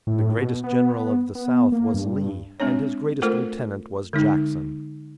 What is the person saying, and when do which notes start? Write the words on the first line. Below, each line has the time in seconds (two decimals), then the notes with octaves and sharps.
The greatest general of the South was Lee, and his greatest lieutenant was Jackson.
0.07 A2
0.37 B2
0.64 B3
1.35 B3
1.72 A#3
1.94 G2
2.60 G#3 C4 D4 C#5
3.22 A3 F4 A4 A#4 C5
4.13 D3 G#3 D#4